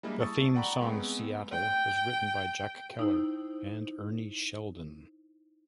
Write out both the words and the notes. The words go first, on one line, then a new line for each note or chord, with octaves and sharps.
The theme song "Seattle" was written by Jack Keller and Ernie Sheldon.
G3 G#3 A#3 D4 E4 D#5
A5 C#6 D#6 E6 A6
D5 F#5 G5 A#5 B5 C#6
G#3 B3 C4
G5
D#4 E4 C5